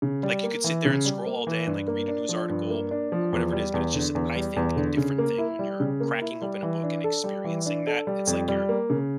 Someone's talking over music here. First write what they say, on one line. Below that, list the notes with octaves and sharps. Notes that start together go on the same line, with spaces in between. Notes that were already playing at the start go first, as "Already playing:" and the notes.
Like, you could sit there and scroll all day, and, like, read a news article, or whatever it is, but it's just a I think, a different thing when you're cracking open a book and experiencing that, it's like you're
C#3
G3
A#3
E3
C#3
G3
A#3
E3
G2
A#3
D4
F3
G2
A#3
D4
F3
E2
G3
E2
D3
E2
G3
E2
D3
C#3
A#3
E4
G3
C#3
A#3
E4
G3
E3
D4
A4
G3
E3
D4
A4
G3
F2
G3
A#3
C#3